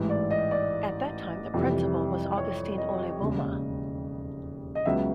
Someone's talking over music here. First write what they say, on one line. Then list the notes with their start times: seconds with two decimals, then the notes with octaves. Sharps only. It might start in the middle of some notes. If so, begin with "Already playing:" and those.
At that time the principal was Augustine Olibuma.
Already playing: A1 G#2 E3
0.10 D5
0.31 D#5
0.51 D5
1.54 F2 C3 E3 G3
2.38 C#5
2.78 D#5
3.20 E1 D#2 C#3
4.75 D#5
4.86 C#2 C#3 F#3 B3 E5